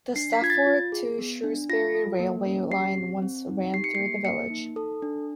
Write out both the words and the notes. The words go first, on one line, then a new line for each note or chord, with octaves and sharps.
The Stafford to Shrewsbury railway line once ran through the village.
D4 C7
B6
F4 G#6
A6
F4
G#4
B3
D4
F4 A#6
A4
A#3
C#4
G4 C7
C4
C4
D#4
G4 C7
C#7
C7
A#3
A#3 C#7
D#4
A4
D4